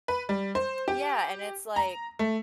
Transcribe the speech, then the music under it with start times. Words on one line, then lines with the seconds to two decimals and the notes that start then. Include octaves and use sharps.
Yeah, and it's like
0.08 B4
0.29 G3
0.55 C5
0.88 G4
1.76 A#5
2.19 A3